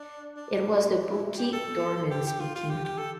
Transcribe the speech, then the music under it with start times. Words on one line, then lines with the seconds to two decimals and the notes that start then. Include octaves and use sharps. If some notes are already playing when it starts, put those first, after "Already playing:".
It was the bulky doorman speaking.
Already playing: D4
0.36 D4
0.95 D4
1.09 E4
1.38 G4
1.53 A4
2.10 G4
2.26 G4
2.40 F4
2.55 F4
2.70 G4
2.84 G4
2.98 A4